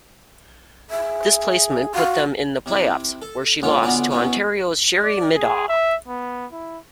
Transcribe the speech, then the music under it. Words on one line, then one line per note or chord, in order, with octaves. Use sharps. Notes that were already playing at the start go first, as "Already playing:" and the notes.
This placement put them in the playoffs, where she lost to Ontario's Sherry Middaugh.
G#4 E5
F#4 F5
C3 E4
A4
G#2 D3 A#3 C#4 F4
B1 D3 B3 F4 D5 G#5
B2 B3 C#4 E4
D5
G#4
E5
B3
E4